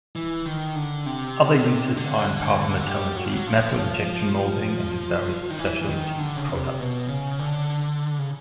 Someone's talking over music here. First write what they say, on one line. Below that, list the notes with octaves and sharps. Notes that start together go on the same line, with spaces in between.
Other uses are in powder metallurgy, metal injection molding, and in various specialty products.
E3
D#3
D3
C3
D3
G3
F#3
F3
F#3
F3
D#3
E3
E3
D#3
D3
C#3
C3
B2
C#3
D3
C#3